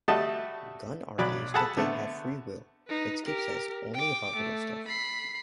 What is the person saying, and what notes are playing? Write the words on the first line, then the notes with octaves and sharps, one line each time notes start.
Gunn argues that they have free will, but Skip says only about little stuff.
G3 A3 F#4 D#5 A5
B1 F#3 D5 B5 D6
G#4 A4 F#5 A5 B5
D3 A3 B3
D#4 B4
G4 A#4
G5 D6
A3
B5 C7